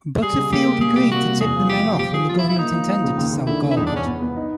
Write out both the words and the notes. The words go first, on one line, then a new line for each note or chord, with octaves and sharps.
Butterfield agreed to tip the men off when the government intended to sell gold.
G3 G#4
C#2
A#3 G4
A#3
A#2 G#4
C2 G4
A#3 F#4
C2
E2 G#4
F3
F3 G4
F3
F3 G4
F3 G#4
F3 F4
E4
F3
E4
A#3 D#4
F3
F3
C#2
D#2
D#2
D3 E4
D3
E4
E2 D#4
D4
E2 C#4
B3
B3
D#4